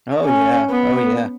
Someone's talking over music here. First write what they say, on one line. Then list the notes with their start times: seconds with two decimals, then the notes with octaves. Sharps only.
Oh, yeah, oh, yeah,
0.25 C#4
0.70 B3